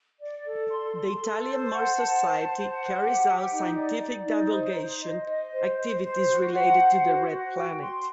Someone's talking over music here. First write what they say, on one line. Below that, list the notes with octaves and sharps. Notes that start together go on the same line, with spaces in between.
The Italian Mars Society carries out scientific divulgation activities related to the Red Planet.
D5
A4
C6
C6
A4
C5
F#5
A5
C5
C5
F#5
G4
G4
D#4
D5
D5
D#4
C5
C5
D#5
D#5
C5
C5
C5
F#4
F#5
C5
F#4
F#4
G5
C6